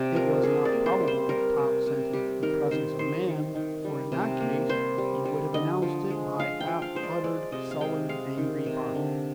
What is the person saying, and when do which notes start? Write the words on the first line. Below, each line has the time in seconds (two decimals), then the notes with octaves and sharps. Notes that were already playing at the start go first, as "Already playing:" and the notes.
It was not probable that Top scented the presence of man, for in that case, he would have announced it by half-uttered, sullen, angry barks.
Already playing: C3 D5
0.15 F3 A#4
0.43 C3 G#4
0.65 D5
0.72 A#3
0.86 C5
1.00 G3
1.08 C5
1.29 G3 A#4
1.58 C3
1.86 C3
2.13 G3 G4
2.42 D#3 A#4
2.71 D#3 C5
2.99 D#3 C5
3.28 D#3
3.55 D#3
3.85 G3
4.12 C3
4.40 A#3
4.69 G3 C5
4.98 G3
5.25 G3
5.54 D3 D#5
5.82 F3
6.10 G#3
6.39 F3 F5
6.61 G5
6.67 F3
6.82 F5
6.95 G#3 C5
7.03 D5
7.24 G#3 D5
7.52 C3 D#5
7.71 F5
7.81 G#3 G5
8.09 G#3 F5
8.38 D#3
8.66 C3
8.95 D3